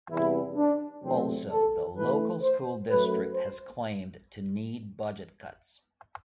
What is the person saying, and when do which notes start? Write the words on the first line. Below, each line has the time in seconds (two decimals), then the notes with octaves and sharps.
Also, the local school district has claimed to need budget cuts.
0.09 E2 C3 E3 G3 E4
0.56 D4
1.03 E2 C3 F#3 A3 C4
1.49 A4
1.96 A2 E3 A3 B4
2.42 C5
2.89 F#2 F#3 A3 B4
3.35 C5